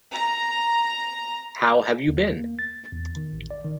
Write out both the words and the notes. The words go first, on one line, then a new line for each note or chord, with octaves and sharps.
How have you been?
A#5
D#2
A#3
A6
E2
D#3
A1
D5
D#3